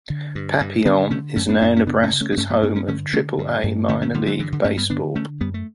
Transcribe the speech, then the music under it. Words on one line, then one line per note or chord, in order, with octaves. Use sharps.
Papillion is now Nebraska's home of Triple-A minor league baseball.
D3
G2
G2
D3 B3 D4
D3 A3 C#4
F#2 A3 C#4
B3 D4
F#2 B3 D4
C#4
C#3 B3 D4
A3 C#4
C#3
A3 C#4
B3
G2 A3 C#4
G3 B3
G2 B3 D4
A3 C#4
D3 A3 C#4
D3 A3 C#4
G2
G2
D3 A3 C#4
A3 C#4
D3 G3 B3
F#3 A3
G2 E3
D3
G2 A3 C#4
G3 B3
D3 B3 D4
D3 A3 C#4
F#2 G3 B3
A3